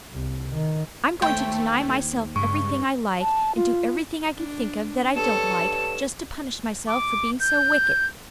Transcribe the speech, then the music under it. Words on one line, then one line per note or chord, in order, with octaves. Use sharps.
I'm going to deny myself everything I like, and do everything I can think of that I don't like, just to punish myself for being so wicked.
C2
D#3
D#2 A3 C5 C#5 G5
G2 C#3 G#3 C#6
A5
F4
D4
G2 A4 C#5 A5 E7
D6
G6